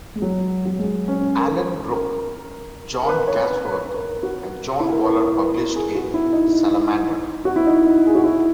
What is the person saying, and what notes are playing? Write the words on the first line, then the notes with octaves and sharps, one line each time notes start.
Alan Rook, John Gawsworth and John Waller published in "Salamander".
G#3
F#3
F#3
G#3
C#4
A#4
A#4
A#4
B4
C#5
B4
B4
B4
A#4
F#4
E4
A#4
B4
B4
A#4
B4
A#4
G#4
F#4
E4
D#4
F#4
E4
D#4
G#4
F#4
E4